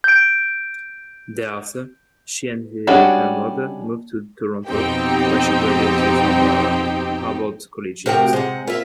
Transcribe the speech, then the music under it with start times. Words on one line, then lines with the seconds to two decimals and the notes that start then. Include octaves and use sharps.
Thereafter, she and he mother moved to Toronto, where she graduated from Harbord Collegiate.
0.04 G6 D7
2.87 G3 G#3 C#4 D4 F#4
4.68 F2 B2 C4 D#4 G4 G5
8.06 C3 F3 A3 F#4 A#4 G5
8.33 C3 G#3 F#5
8.67 A#3 F4 E5